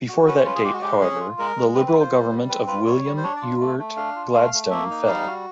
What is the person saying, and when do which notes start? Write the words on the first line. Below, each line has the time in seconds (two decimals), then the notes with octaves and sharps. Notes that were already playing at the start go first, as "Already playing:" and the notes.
Before that date, however, the Liberal Government of William Ewart Gladstone fell.
0.09 F#4
0.27 C#4 B4
0.37 C5
0.45 F4 B4
0.55 G#4
0.64 G#3 G4
0.73 F#4
0.82 G#3 G4
1.01 C#4 G#4
1.20 F4
1.39 G#3 A#4
1.56 G#3
1.75 C4 B4
1.87 B4
1.93 F4
2.00 C5
2.12 G3
2.30 G3
2.49 C4 B4
2.67 F4 B4
2.86 G3 C#5
3.04 G3
3.17 C5
3.23 D4 C#5
3.36 D5
3.42 F4
3.60 A3
3.79 A3
3.97 D4 F5
4.16 F4
4.34 A3 F5
4.53 A3
4.71 A#3 E5
4.90 D#4
5.08 G3 F5
5.27 F#4